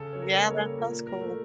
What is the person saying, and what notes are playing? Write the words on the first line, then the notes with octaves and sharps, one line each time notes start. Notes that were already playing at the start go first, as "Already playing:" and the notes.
Yeah, that sounds cool.
Already playing: C#3 A4
C#5
A#4
G3 A#3
A4 C#5
A#2 A#4
A#4
A3